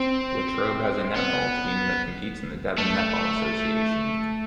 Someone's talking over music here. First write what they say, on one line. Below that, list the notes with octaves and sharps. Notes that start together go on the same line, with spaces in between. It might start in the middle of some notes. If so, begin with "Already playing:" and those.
Latrobe has a netball team that competes in the Devon Netball Association.
Already playing: C4
B3
A3